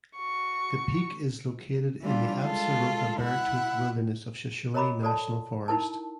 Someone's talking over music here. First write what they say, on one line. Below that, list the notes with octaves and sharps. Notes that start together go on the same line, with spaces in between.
The peak is located in the Absaroka–Beartooth Wilderness of Shoshone National Forest.
F#4 C#6
E3 G3 D4 F4
G#3 F4 A4
E4 F#5
A#4 C#5 D#5 A#5 B5 D6
F#4 A4 D5 A5
D#4 E4 A#4 A5